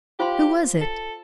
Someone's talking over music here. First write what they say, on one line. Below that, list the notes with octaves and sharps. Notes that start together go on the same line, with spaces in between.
"Who was it?"
F4 G4 C5 F5 C6
A4